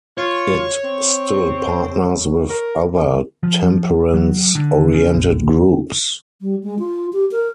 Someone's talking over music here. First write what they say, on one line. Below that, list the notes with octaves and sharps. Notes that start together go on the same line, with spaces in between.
It still partners with other temperance-oriented groups.
F4 C#5
C4
A#4
F3
F#3
D3
C#3
A#1
G3
G#3
F4
G4
A#4